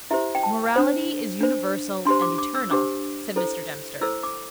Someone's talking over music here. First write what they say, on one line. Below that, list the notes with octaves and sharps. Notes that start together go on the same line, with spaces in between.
"Morality is universal and eternal," said Mr. Dempster.
E4 G4 C5 E5
G5
A5
D4 C5
D4 C5
D4 G4 C5 C6
D6
D6
E6
D4 G4 C5 D6
E4 A4 C5
E4 A4 C5 E6
D6